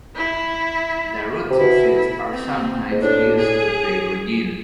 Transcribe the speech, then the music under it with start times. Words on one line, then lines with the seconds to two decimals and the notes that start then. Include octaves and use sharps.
The roots and seeds are sometimes used to flavor gin.
0.16 E4
1.50 C3
1.59 B2 E4
1.95 E4
2.31 C4
2.91 G#2
3.02 A2 D4
3.38 G#4